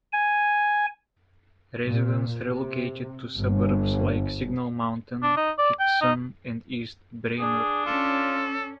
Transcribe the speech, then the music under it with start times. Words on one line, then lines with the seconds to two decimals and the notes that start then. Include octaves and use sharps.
Residents relocated to suburbs like Signal Mountain, Hixson, and East Brainerd.
0.12 G#5
1.86 A#2
2.45 C3
3.36 G1
5.23 D4
5.37 D#4
5.58 D5
5.80 G5
6.01 D#4
7.40 D4 G#4
7.86 C#4 F4 A4